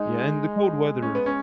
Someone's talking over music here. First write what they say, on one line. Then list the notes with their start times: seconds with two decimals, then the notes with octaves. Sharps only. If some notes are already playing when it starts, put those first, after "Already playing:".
Yeah, and the cold weather
Already playing: G#3 D#4
1.02 C#4
1.15 B3
1.26 C#4